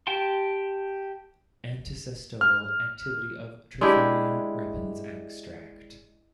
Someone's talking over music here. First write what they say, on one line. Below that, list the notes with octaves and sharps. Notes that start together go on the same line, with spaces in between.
Anticestodal activity of Trifolium repens extract.
G4 G5 A5 C6
F6
G#3 D4 E4 G4